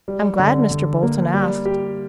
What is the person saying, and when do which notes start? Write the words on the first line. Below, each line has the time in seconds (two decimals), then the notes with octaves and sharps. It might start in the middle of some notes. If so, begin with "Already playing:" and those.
"I'm glad Mr. Bolton asked."
0.08 G3
0.39 D3
0.71 D3
1.03 A#3
1.34 G3
1.65 G4